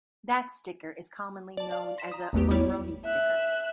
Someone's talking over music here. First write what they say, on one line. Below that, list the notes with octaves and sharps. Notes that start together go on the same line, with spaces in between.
That sticker is commonly known as a "Monroney sticker".
D5 A5
D5 F5
C6 A#6 B6 E7
A#5 D#6
G#1 E2 A3 B3 G4
G3 E4 C#5 D5
E5 F#6